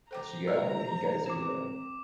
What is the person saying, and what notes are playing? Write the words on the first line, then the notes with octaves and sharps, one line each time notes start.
that you, uh, you guys do that.
A4 C5 G5 A#5 D6
G3 C#5 E5
C4 C5 D6 E7